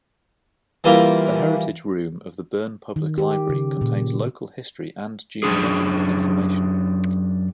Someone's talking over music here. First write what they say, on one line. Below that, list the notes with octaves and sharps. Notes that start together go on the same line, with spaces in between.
The Heritage Room of the Berne Public Library contains local history and genealogical information.
E3 G3 A#3 E4 F4 A#4
D#3
G4
C#3
A#2
F#2 E3 D4 G#4